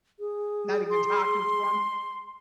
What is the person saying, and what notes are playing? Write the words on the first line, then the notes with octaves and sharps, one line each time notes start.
Not even talking to him?
G#4
C6